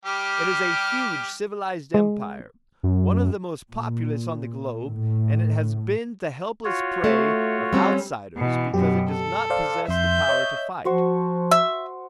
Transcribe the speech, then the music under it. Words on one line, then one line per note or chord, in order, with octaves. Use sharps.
It is a huge civilized empire, one of the most populous on the globe; and it has been the helpless prey of outsiders because it does not possess the power to fight.
G3 G4 F6
G#3
F#2
A#2
A2
F4 F#4 C#5
A3
G3 C4 C#4
B2 E3
F#2 B2 F#3 G4
A4
C5 D5 F5
F2 E5 C6 G6
C#5 D#5
F3 F#4 C5 C#6
E5